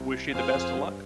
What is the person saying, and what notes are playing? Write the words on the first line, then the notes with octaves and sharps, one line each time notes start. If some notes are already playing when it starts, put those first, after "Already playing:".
wish you the best of luck.
Already playing: C2 C3
F2 G#4 C5 F5 G#5
F2
G2